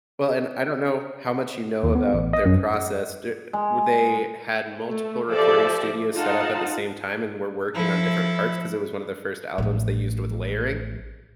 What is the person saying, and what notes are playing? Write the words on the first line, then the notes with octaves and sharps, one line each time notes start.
Well, and I don't know how much you know about their process. D w they had multiple recording studios set up at the same time and were working on different parts- 'cause it was one of the first albums they used with layering.
D#2
B3
A1
D#5
F#2
G#3
A3
F3 G4 A4 D5 E5
D#4 F4 F#5 A5
F3 E4 A4
A1 F3